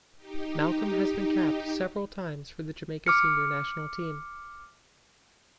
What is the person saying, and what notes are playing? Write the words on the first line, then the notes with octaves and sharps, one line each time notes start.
Malcolm has been capped several times for the Jamaica senior national team.
D#4 G4
D6 F6 C#7